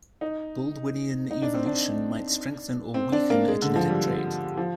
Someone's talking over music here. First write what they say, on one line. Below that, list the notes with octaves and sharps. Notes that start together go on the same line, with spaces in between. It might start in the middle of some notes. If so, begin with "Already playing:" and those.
Baldwinian evolution might strengthen or weaken a genetic trait.
D#4
D#4
D4
C4
D4
C4
D4
A#3
G#3
D3
F3
G3
F3